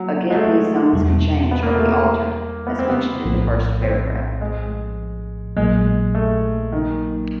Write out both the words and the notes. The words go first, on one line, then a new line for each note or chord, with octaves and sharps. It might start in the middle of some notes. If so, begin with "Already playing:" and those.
Again these zones can change or be altered as mentioned in the first paragraph.
Already playing: F#3 A#3
G#3
A3
E2 B2 G3
B3
A#3
A3
A#3
B3
C4
B3
A#1 A2 F3
C4
G#3
A#1 A#2 F#3 G#3 A#3
A3
D#3